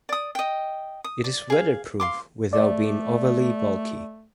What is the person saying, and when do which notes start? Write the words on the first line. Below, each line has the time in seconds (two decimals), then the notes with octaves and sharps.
It is weatherproof without being overly bulky.
0.09 D5 D#6
0.35 D#5 G5
1.04 D#6
1.24 D5
1.50 G#4 F5
2.00 F5 C6 D6
2.53 A3 D5